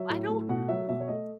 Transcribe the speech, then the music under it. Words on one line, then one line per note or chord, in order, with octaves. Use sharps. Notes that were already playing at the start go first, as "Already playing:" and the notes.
I don't know,
Already playing: F#3 E5
A2
A3
B2 F#5
F#3 E5
B2 E5
C#5
A3 D#5